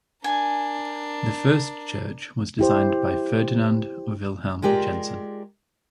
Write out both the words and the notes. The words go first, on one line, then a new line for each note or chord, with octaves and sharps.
The first church was designed by Ferdinand Vilhelm Jensen.
D4 A#4 G#5
E4 G4 C5
G#3 F4 G4 A#4 D5